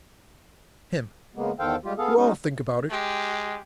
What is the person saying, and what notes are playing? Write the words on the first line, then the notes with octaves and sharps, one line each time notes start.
HIM: I'll think about it.
C#3 G#3 A#3 B3
E2 D#3 A4 C5 F5 G5
G3 G#3 F4 G4
B3 G#4 A4 F5
G#3 C#4 D#4 F#4
G#3 G4